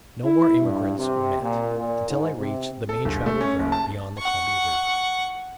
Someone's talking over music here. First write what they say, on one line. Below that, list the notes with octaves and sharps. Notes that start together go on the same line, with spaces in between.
No more immigrants were met until I reached the main-traveled route beyond the Columbia River.
E4
G2
C3
A#2
A#2
G#2
C3
A4
G1
A3
C#4
F#1
A5
F#5 C#6